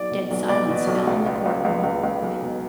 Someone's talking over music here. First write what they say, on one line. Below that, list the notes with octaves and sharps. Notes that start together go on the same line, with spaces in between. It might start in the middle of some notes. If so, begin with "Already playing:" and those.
Dead silence fell in the court-room.
Already playing: B1 D5
B2
B1
B2 D5
B2
B1
C#2
C#2
C#2
C#2
C#2
C#2
B1
B2